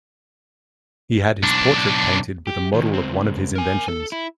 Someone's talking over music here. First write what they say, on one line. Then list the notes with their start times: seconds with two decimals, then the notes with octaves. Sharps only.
He had his portrait painted with a model of one of his inventions.
1.43 B1 D4
2.47 G4
2.74 D#3 F#3
2.94 C#2 C4
3.55 A#4 G#5
3.88 A4
4.12 E4